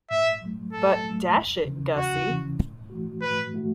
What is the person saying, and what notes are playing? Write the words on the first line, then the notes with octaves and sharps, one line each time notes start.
But, dash it, Gussie.
A2 E5
F#3 A3
A2 A4
F#3 A3
E2
C#3 E3 C#4
E2 F#4
C#3 E3 C#4
A2
E3 A3 F#4
A2 B4
E3 A3 F#4